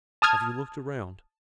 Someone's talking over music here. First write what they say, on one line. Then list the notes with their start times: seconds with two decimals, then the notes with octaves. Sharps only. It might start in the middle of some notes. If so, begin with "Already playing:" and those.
"Have you looked around?"
0.22 A5 D#6 F6 G#6